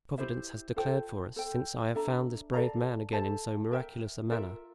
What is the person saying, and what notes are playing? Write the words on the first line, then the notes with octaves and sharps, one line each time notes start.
Providence has declared for us, since I have found this brave man again in so miraculous a manner.
E4 G4 C5 E5
F4 A4 C5 G5
A4 C5 G5
D4 A4 E5 A#5
A4 D5 F5 A#5
A4 C5 E5 A5
A#4 E5 G5
F4 A#4 E5